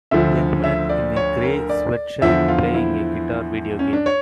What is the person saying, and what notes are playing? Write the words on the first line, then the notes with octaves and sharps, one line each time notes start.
Young man in a gray sweatshirt playing a guitar video game.
D2 D3 F3 E5
E5
D5
C#5
A#4
D5
E2 D3 F3 E5
F4
E4
C#4
D4
C#5